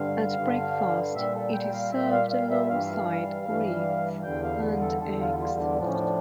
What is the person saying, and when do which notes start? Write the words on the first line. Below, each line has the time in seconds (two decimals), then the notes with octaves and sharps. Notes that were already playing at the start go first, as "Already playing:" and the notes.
At breakfast it is served alongside grits and eggs.
Already playing: G2 D3 G3 F5
0.38 G2 D3 G3
1.15 A#2 G3 E5
1.34 A4
1.53 G5
1.73 F5
1.92 A#2 G3 E5
2.12 F5
2.31 F5
2.51 E5
2.69 G2 E3 G3 F5
3.46 G2 E3 G3
4.23 E2 D3 G3 G5
4.44 F5
4.82 A4
5.01 E2 D3 G3 A4
5.20 F4
5.39 F4
5.59 D4
5.78 A2 F3 D4
5.87 C#4
5.94 D4